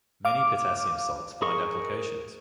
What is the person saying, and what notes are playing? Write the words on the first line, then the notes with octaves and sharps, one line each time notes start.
Many potassium salts find applications.
F5 D6
G#4 A#4 C#6